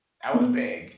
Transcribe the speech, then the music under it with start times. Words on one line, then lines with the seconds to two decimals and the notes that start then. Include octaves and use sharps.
That was big.
0.35 B3